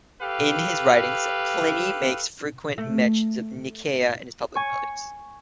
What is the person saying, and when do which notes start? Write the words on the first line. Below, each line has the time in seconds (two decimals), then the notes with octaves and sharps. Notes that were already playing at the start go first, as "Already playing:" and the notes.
In his writings Pliny makes frequent mention of Nicaea and its public buildings.
0.21 G4 A4 B4 F5
2.78 A3
4.56 G#5 C#6